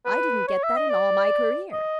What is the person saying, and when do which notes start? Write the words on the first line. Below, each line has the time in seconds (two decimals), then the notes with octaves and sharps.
"I didn't get that in all my career."
0.06 B4
0.48 C#5
0.64 E5
0.77 D#5
0.89 D5
1.73 D#5